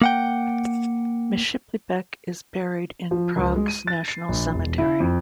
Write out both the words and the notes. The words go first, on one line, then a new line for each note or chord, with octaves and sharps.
Myslbek is buried in Prague's National Cemetery.
A#3 F#5 G5
F3
C#2
G#3
D#7
A6
C7
A#1
E1
E4
F2